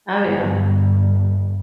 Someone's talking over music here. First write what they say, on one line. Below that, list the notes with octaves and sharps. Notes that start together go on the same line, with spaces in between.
Oh, yeah.
G1 G2